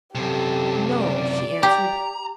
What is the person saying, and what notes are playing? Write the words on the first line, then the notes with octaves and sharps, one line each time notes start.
"No," she answered.
F#2 C3 G4 A4
D5
G4 A#5